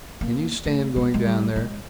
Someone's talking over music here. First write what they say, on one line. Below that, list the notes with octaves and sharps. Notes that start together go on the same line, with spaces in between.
Can you stand going down there?
A#3
A3
G#3
G#3
G3
G#3